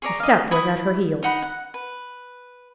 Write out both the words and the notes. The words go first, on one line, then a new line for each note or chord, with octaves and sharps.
A step was at her heels.
G#4 C#5 D5 A#5
D#5 F5
E4 C#5 B5 D#6
D#4 F#5 B5
F#5
B4